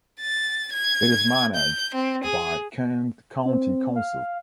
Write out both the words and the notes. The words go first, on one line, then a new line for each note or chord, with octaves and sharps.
It is managed by Kent County Council.
A6
G#6
G6
C4
G#4
C4
F5